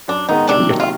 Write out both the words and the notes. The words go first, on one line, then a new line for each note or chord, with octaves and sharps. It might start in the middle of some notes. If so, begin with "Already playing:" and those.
Treat yourself.
F#2 D4
D#3 G#3 B3 D#4
C3 D4
D#3 F#3 A#3
F4